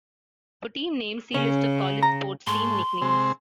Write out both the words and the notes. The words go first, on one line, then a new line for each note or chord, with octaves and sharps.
For team names, see List of college sports team nicknames.
C#3 C#4
A#5
G#2 A3 C6
C3 G#3 C4